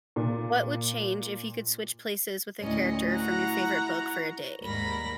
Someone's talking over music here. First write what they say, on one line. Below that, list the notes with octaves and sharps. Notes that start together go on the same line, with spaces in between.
what would change if you could switch places with a character from your favorite book for a day?
A#2
D2 A2 C#4 D#5
E4 F#4 F#5 A#5 A#6
D#2 G#2 G3 A#4 B5 A#6